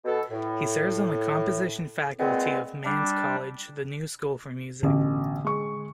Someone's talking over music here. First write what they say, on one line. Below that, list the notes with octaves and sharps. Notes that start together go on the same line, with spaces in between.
He serves on the composition faculty of Mannes College The New School for Music.
B2 A4
A2
A#2 G#3 B3 C4
G3 D4
A1 B2 D3
G#3 C#6